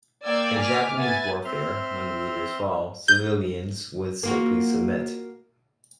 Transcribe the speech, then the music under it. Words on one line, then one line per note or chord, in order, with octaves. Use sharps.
In Japanese warfare, when the leaders fall, civilians would simply submit.
A#3 D5 G5 D6 E6 G#6
G#5 D6 F6 B6
B3 E5 G#5 A6
C4 E5 C6 F6
G6
A#3 F4 F#4